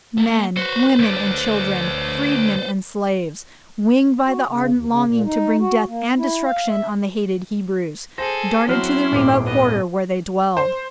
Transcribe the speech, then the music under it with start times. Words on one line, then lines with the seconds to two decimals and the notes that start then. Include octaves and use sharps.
Men, women, and children, freedmen and slaves, winged by the ardent longing to bring death and destruction on the hated Hebrews, darted to the remote quarter where they dwelt.
0.18 A#3 A4
0.57 F#4 B4 C5
0.99 D2 D3
4.27 F#4
4.47 C#3
4.73 D#2
4.89 C#3
5.05 A#2
5.24 D#4
5.59 F#4
5.88 A#3
6.18 E4
6.46 F5
6.69 E5
8.18 G#4 A4 C5 A#6
8.68 F#3 C4 E4 F#4 C6 F6
9.12 D#1 G#1 D6
9.46 B3 D#5
10.57 C5